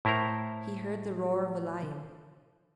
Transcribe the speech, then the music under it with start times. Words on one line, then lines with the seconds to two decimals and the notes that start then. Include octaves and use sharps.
He heard the roar of the lion.
0.05 A2 E4 A#4 C5 A#5